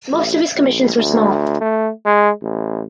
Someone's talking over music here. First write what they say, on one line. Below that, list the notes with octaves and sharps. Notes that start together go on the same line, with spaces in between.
Most of his commissions were small.
A1
A#1
D2
A3
G#3
A1